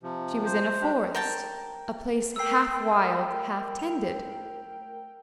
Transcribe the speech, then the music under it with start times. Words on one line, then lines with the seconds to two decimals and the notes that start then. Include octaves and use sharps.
She was in a forest, a place half wild, half tended.
0.03 C3 F3
0.45 C5
0.82 G3 D4 G4
1.15 A#4 G5 A5
2.36 A3 A#4 G5 E6 C7
3.79 F7